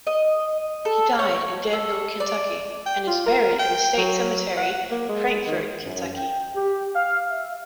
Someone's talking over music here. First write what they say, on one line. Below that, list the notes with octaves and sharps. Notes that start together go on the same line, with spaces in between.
He died in Danville, Kentucky, and is buried in the State Cemetery, Frankfort, Kentucky.
D#5
A4
C#5
A4
D5
G5
F4
A#4
G5
F#3
F#5
A#3
G#3
D#3
F#2
G5
G4
F5
E5